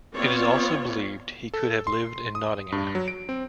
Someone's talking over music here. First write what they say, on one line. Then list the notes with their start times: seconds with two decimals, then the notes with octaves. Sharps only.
It is also believed he could have lived in Nottingham.
0.14 B3 C4 F4 C#5 D5
1.54 A4
1.87 C6
2.35 D#6
2.72 G2
2.95 F#3
3.08 D7
3.29 C4